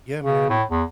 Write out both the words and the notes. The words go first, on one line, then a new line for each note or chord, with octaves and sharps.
Yeah, man.
C#3
A2
E2